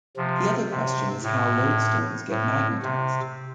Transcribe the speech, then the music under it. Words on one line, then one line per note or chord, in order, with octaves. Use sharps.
The other question is how lodestones get magnetized.
C3 F3
C3
A2
A2
C3